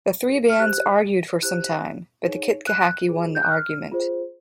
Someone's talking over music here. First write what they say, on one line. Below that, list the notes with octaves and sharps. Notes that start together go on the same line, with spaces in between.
The three bands argued for some time, but the Kitkehaki won the argument.
F6
G4 C5 F#6
E4 G4 C5 F#6
D#4 G#4 C#5
F#6
F4 G#4 C5
G6
F#6
F6
F4 G#4 C5